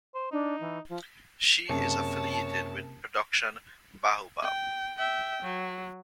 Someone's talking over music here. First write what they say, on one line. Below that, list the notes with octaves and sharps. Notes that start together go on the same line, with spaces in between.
She is affiliated with Production Baobab.
C5
D4 D#4
E3
F3
F#1 C3 C#5 A5
G5
E5 G5
F#3